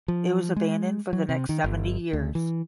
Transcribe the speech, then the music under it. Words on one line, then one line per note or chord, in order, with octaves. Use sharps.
It was abandoned for the next seventy years.
F3
G#3
F#3
C3
D#3
G1
D2
E3